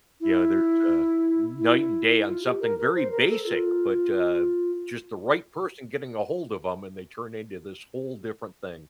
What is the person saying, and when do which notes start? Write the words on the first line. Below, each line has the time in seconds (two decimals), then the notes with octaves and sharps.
You know, there's a night and day on something very basic, but, uh, just the right person getting a hold of 'em and they turn into this whole different thing.
0.21 E4
1.58 E4
2.27 F4
2.43 G4
2.61 A#4
2.78 A#4
2.95 C5
3.12 A#4
3.29 A4
3.46 F4